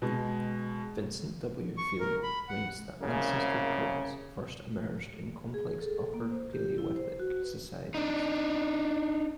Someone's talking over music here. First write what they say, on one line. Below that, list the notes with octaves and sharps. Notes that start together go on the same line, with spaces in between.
Vincent W. Fallio writes that ancestor cults first emerged in complex Upper Paleolithic societies.
B2 G#3
C#6
A#4
B5
F#5
C2 F#2 C#3 A#3
G#4
A4
A#3
C5
G4
E4
C5
F#4
B4
D4 D#4